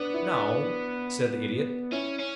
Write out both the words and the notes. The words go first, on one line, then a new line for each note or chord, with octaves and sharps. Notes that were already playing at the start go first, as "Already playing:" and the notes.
"No," said the Idiot.
Already playing: B3 D4
E4
D4
C#4 E4
C#4